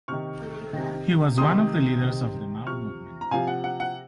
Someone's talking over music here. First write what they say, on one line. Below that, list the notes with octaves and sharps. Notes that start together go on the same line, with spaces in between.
He was one of the leaders of the Mau movement.
C3 D#3 C#6 F6
C3 D#3
C3 D#3 C6 D#6
C3 D#3
C3 F3 C#6 F6
A#5
C3 F3 F5 G#5
F#5
F#5
F#5